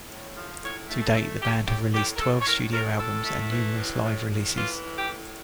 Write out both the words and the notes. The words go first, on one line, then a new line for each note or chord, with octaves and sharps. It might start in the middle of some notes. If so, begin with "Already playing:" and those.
To date, the band have released twelve studio albums, and numerous live releases.
A2
F3
A2 C#5
A3
A4
A3
A3 G4
A2 G4
A2 G4
A#4
A2 A4
C#5
A2 A#4
A2 A#4
A2 A4
A3
E3
A2
A2
A2
E3 F4
A2
G4
A2